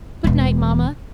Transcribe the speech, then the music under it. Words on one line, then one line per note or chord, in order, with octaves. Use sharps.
Good night, Mama.
E1 E3